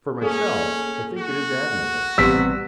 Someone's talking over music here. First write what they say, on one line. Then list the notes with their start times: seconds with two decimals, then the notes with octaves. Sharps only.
For myself, I think it is admirable.
0.22 A#3 C#4 G#4 A4
1.19 F#4
2.18 A1 C3 G3 B3 E6 B6